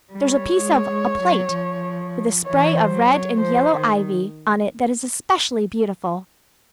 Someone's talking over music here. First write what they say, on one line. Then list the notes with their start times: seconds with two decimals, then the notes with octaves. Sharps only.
There's a piece of a plate with a spray of red and yellow ivy on it that is especially beautiful.
0.10 G3
0.25 C#5
0.56 G#3
0.88 G#3
1.20 F#3
1.52 F3
2.45 E3 C#5
2.77 C5
2.92 F#3
3.09 C#5
3.40 F3 C5
3.72 D#3